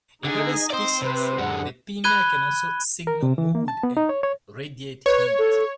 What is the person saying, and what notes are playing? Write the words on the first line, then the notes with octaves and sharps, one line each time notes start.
In various species, the pinna can also signal mood and radiate heat.
D3 D#4 G#4 D#5 G#5
C4 C5 D5
C3 B4 C5
F#2 D3 G#3 F#5
B5 F#6 G#6 D#7 G7
A#4
C3
E3
A#3
A5
B3
D#4
C#5
C#5
B4 C#5
A4